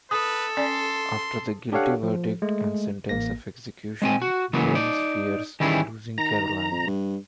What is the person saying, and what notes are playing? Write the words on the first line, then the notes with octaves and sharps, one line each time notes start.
After the guilty verdict and sentence of execution, Gaines fears losing Caroline.
A4 B4 D#6
C#4 D5 G#5 C6
D4 G4 A4 C#5 F5 F#5
F3
G#3 A3
A1 A#3 A#6
G#3 C4 G#5
F#4
C#3 E3 F#3 G#3 A#3 B3
D#4 D5
D#3 E3 G3 C#4 E4 G#4
D#3 A#5
F2
G2